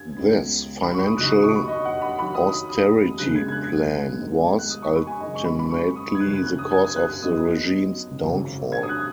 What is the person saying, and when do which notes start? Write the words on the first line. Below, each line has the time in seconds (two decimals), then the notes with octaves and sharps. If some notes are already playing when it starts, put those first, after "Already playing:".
This financial austerity plan was, ultimately the cause of the regime's downfall.
Already playing: G#6
0.17 C#2 C#3 G#3 B3
0.82 B5
0.94 C#6
1.06 D#6
1.18 D#2 C#3 F#3 D#4 F#6
1.30 D#6
1.43 C#6
1.55 B5
1.68 D#5
1.85 F#5
2.02 B5
2.19 F#2 D#3 F#3 B5
2.34 D#6
2.69 D#6
3.18 F#2 C#3 G#3 B3 F#6
3.35 G#6
3.48 G#6
3.52 F#6
4.19 G#2 D#3 G#3 B3 D#4
4.59 F#6
4.70 D#6
4.82 C#6
4.95 B5
5.07 G#5
5.20 F#1 F#2 D#3 G#3 D#4 D#5
5.35 C#6
5.45 B5
5.59 B5
5.70 C#6
5.96 D#6
6.15 G#6
6.20 F#1 F#2 D#3 F#6
6.33 F#6
6.46 F#6
6.58 D#6
6.71 G#6
6.84 D#6
6.96 F#6
7.22 F#2 F#3 B3 D#4 D#6
8.22 G#1 F#2 C#3
8.72 G#6
8.83 D#6
8.89 F#6